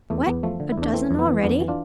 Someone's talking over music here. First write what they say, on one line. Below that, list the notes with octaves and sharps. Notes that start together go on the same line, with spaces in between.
What! a dozen already?
E2 A3
E2 B3
F3 A3
D3
E4
E2 D4
E3 A3 C4
F2
B3
E3
F2 B3 D4
E3
D4 F4